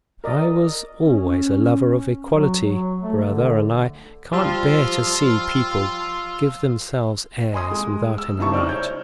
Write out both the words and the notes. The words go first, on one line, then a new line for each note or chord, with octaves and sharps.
I was always a lover of equality, brother, and I can't bear to see people give themselves airs without any right.
A#4 D5 D#5
C#4
F#3
F#3
A3
D3
F3 G3 F4 E6
D#5 G#5 C6 D#6
G#3
E6
C2 C#3 D#4 E4 A5 C#6
C5 D5 E6 F6
C#5 G6